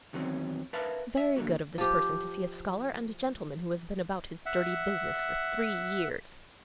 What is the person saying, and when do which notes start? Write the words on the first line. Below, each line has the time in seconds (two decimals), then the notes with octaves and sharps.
Very good of this person to see a scholar and a gentleman who has been about his dirty business for three years.
0.13 E2 D#3 F#3 A3 C4 C#4
0.73 A#4 B4 E5 F5 A5
1.17 E5
1.36 D3 A#3 F#4
1.78 F3 G4
4.46 E5 F#5